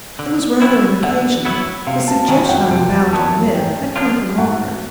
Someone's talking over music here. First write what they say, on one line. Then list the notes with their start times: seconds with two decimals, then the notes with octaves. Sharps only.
It was rather an occasion. The suggestion, I am bound to admit, had come from Margaret.
0.19 D3
0.62 F#3 B3 E4
1.03 D3 F#5
1.45 F#3 B3 E4
1.87 C3 F5
2.08 A5
2.28 D#3 F#3 B3 G#5
2.45 G5
2.49 F#5
2.71 C3 G5
3.13 D#3 F#3 B3 A5
3.54 G#2 G5
3.96 F3 A#3 D4 F4
4.38 G#2 F#5